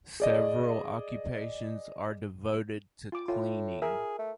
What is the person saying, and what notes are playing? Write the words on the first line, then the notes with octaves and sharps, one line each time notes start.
Several occupations are devoted to cleaning.
G#4 D5 D#5
F4 D6
A2 F4
G#4 A#4 E5
A3